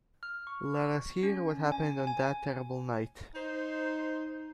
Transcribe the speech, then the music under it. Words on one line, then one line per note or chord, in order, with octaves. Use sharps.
Let us hear what happened on that terrible night.
F6
C#6
C#4
G#5
G#5
D#4 C5